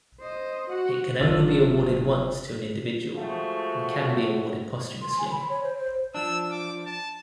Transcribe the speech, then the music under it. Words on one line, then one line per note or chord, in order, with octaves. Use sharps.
It can only be awarded once to an individual, and can be awarded posthumously.
C5 D#5
F#4 F#5
F#1 D4 F4 E6 A6 F#7
F3 G#3 A3 F#4
C6
G#5
B5
C#5
C5
C5
F3 D4 E6
D6
A5